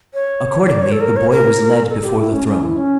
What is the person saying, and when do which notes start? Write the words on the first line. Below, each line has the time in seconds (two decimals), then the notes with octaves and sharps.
Accordingly, the boy was led before the throne.
0.14 C#5
0.65 C#5
0.71 D5
0.82 C#5
0.92 A4
1.01 A#4
1.16 C#5
1.31 A#4
1.89 A4
2.03 G4
2.19 E4
2.33 C#4
2.48 C#4
2.62 E4
2.77 C#4